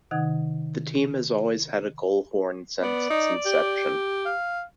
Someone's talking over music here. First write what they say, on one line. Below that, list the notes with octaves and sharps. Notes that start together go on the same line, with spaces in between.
The team has always had a goal horn since its inception.
C3 D#3 D#4 F#5 D#6 G#6
B3 D5
D#4
G4
F5